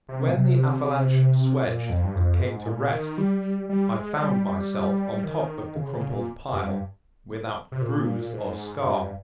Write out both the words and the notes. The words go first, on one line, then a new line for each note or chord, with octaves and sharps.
When the avalanche swedged and came to rest I found myself on top of the crumpled pile without bruise or scar.
C3
A#2
C3
A#2
F2
G2
F2
G#2
A#2
D#3
G3
G3
G#3
G3
G3
D#3
C#3
C#3
A#2
G2
C3
A#2
G#2
G2